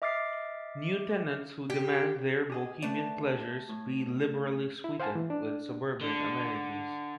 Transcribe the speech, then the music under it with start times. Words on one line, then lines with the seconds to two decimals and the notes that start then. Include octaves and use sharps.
New tenants who demand their bohemian pleasures be liberally sweetened with suburban amenities.
0.02 D#5 E5 D6 F6 A6 C7
1.70 G4
2.50 G4 G#4 D#5
2.82 A3 B4 D5 A5
3.69 A2
4.84 E4
5.00 C5 F5 F#5 G#5 A5
5.15 E3
5.30 D4
6.01 D3